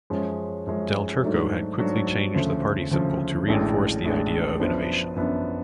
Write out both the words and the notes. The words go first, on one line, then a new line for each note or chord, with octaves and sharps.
Del Turco had quickly changed the party symbol to reinforce the idea of innovation.
F#2 F3 G#3 C#4
F#2 F3 G#3 C#4
G#2 F#3 A3 D4 F#4
G#2 F#3 A3 D4 F#4
D2 C#3 F3
D2 C#3 F3
A1 A2 G#3 D4
A1 A2 G#3 D4
F#2 F3 B3 D4
F#2 F3 B3 D4